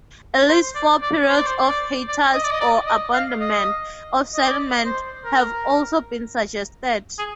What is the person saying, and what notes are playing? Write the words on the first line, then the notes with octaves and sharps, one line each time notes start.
At least four periods of hiatus or abandonment of settlement have also been suggested.
C5
D5
D5
C5
D5
C5
D5
D5
D#5
D5
D#5
D5
D#5
F5
D#5
D#5
D5
C5
A#4
G#4